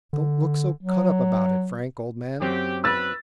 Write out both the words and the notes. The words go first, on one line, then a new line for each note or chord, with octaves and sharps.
Don't look so cut up about it, Frank, old man.
D3
F#3
F#2 F#3 C4 G4
B4 E6 A6